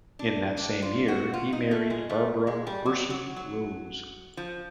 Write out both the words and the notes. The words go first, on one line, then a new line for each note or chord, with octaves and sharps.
In that same year he married Barbara Berson Rose.
D4
D4
F4
F#4
F4
D#4
A3
G#3
A3
G#3
G3
F#3
F#3
F#3
F3